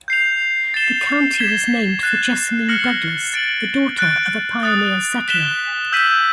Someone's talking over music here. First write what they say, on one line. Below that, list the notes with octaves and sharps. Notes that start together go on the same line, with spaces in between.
The county was named for Jessamine Douglass, the daughter of a pioneer settler.
G6 C7 F7
A6 C7 E7 G7
G#6 B6 E7 G7
F#6 A6 C7 E7
F6 A#6 C#7 F#7
A6 D7 F#7
F#6 A6 D7
D#6 F#6 A6
F#6 B6 E7 G7
E6 G6 B6 D#7 F#7